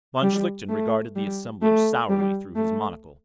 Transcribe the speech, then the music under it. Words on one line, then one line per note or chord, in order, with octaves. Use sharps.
Von Schlichten regarded the assemblage sourly through his monocle.
G3
A3
G3
A3
G3
A3